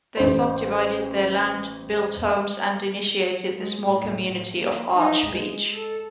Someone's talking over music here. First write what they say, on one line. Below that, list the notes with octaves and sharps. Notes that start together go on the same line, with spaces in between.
They subdivided their land, built homes and initiated the small community of Arch Beach.
A1 C5
G#3
A2
A2
A#3
D#4
G#3
A4